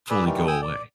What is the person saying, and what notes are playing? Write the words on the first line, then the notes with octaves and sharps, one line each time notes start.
fully go away.
G#4 B4 D5 E6
D#3 E3 G3
G5 G#5 D#6 E6
D5